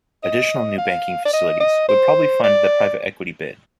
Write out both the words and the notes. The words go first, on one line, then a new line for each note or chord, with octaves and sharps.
Additional new banking facilities would probably fund the private-equity bid.
D#5
F5
D5
D#5
D#5
C5
D5